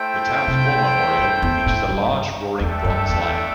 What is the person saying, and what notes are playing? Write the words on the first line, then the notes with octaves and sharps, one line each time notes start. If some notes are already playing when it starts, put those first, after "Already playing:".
The town's war memorial features a large roaring bronze lion.
Already playing: A3 E4 C5 G5
C3
G2
E2
A2
G2
E2 A3 D4 A4 E5 G5
G2
E2